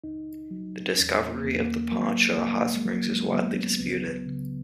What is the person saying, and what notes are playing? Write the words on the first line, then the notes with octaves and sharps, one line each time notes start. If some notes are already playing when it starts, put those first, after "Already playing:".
The discovery of the Poncha hot springs is widely disputed.
C#2 D#4
F#3
E2 C#4
A#3
E2
A#3
F#3 A#3
C#2 A#3
G#3
F#3 A#3
G#3
F#3 B3
C#4
C#2 B3
C#3